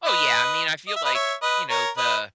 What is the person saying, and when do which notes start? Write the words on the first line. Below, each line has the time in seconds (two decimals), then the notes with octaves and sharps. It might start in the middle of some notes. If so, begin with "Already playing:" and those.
Oh, yeah, I mean, I feel like, you know, the
0.05 B4 D#5
0.88 D#5
0.96 E5
1.05 B4 D#5
1.15 C#5 E5
1.42 B4 D#5
1.69 A#4 C#5
1.97 B4 D#5